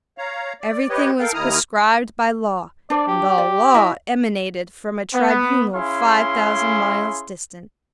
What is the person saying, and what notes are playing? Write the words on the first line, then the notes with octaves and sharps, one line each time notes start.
Every thing was prescribed by law, and all law emanated from a tribunal five thousand miles distant.
C#5 F5 A#5
D5
G4 B4 C#5 D#5
A4 A#4 F5 G5
D#2 D#3 E4 A#5 D#6 F6
D4 C5 D5
G4
D5
E4 F#4 D#5
B3
C#4 E4 G#4 F5 C6